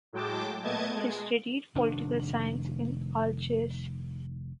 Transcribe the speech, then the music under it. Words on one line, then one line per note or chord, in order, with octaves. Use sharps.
He studied political science in Algiers.
A2 F#3 G#3 G5 A5 D6
A#2 A3 B3 D#5 A5 G#6
G#3
F1 D#3 D4